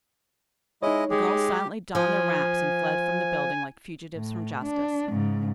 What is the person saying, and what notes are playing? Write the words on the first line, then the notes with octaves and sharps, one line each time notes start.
The girls silently donned their wraps and fled from the building like fugitives from justice.
G#3 D#4 E4 C#5 D#5
G#3 G4
F3 G#5
A2
D4
G#2 C#3